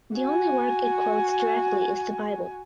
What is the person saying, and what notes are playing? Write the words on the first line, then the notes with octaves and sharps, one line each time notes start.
The only work it quotes directly is the Bible.
F#4 G#5